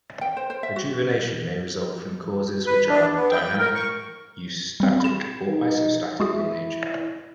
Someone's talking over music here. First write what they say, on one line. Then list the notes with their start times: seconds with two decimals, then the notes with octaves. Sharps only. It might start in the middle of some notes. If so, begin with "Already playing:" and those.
Rejuvenation may result from causes which are dynamic, eustatic or isostatic in nature.
0.21 G5
0.37 C5
0.50 C5
0.63 E5
0.76 F#4
2.67 B4
2.89 D4
3.15 B3
3.31 G5
3.58 A#4
3.74 C#6
4.80 G3 C4
5.00 B5 E7
5.48 D#4
6.20 G#3 E4 F#4 G#4